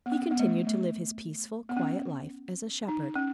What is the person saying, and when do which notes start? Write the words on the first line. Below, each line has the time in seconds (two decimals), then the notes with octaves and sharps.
He continued to live his peaceful, quiet life as a shepherd.
0.06 B3
0.12 C#4
0.31 B3
0.39 A3
0.67 A3
1.69 B3
1.77 C#4
2.88 D#4
3.16 C#4